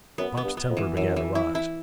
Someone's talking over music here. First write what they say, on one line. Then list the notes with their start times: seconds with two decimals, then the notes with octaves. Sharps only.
Bob's temper began to rise.
0.18 F#2 B3
0.37 B3
0.44 G2
0.57 B3
0.70 F2
0.77 E3
0.96 F#2 E3
1.16 E3
1.35 E4
1.55 E4